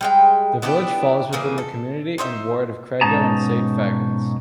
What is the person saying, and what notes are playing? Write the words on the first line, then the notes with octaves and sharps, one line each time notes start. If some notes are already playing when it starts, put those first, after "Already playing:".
The village falls within the community and ward of Creigiau and Saint Fagans.
G3 G#3 G5
B3 D4 E4 G4
C#3 E3 A#3 G#4
A4
D#4 C5 C#5 E5
G#2 B2 C#4 D#4 A5 A#5